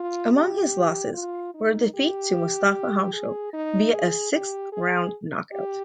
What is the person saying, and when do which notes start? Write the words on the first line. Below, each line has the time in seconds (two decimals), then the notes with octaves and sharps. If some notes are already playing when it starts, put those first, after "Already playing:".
Among his losses were a defeat to Mustafa Hamsho, via a sixth-round knockout.
Already playing: F4
0.34 G4
1.14 F4
1.54 D#4
1.94 G4
3.13 G#4
3.53 D#4
3.94 G#4
4.33 G4
4.72 G#4
5.53 G4